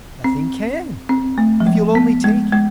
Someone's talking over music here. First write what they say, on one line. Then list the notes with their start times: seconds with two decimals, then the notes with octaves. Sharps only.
"Nothing CAN--if you'll only take it..."
0.24 C4
1.09 C4
1.38 A3
1.60 F3
1.67 G#3
1.95 B3
2.24 G#3
2.53 G#3